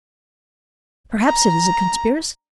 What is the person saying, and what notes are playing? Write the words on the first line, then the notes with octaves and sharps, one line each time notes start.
Perhaps it is a conspiracy.
A#5